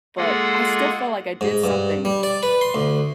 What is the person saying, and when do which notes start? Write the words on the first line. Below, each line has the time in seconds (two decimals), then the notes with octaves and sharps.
but I still felt like I did something
0.17 G#3 A#3 F4 G#4 A4 F#5
1.41 G#2
1.64 G2
2.05 G3
2.23 D5
2.43 B4
2.61 C6
2.74 D2